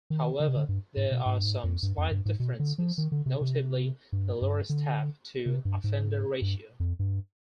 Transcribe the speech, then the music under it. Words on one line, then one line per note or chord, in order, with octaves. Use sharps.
However, there are some slight differences, notably the lower staff to offender ratio.
D#3
D3
C3
D3
G2
G#2
B2
G#2
G2
G#2
F2
G2
F2
G2
G#2
B2
D3
F3
D#3
D3
C3
C3
G2
G2
D3
C3
G2
G#2
G2
F2
G2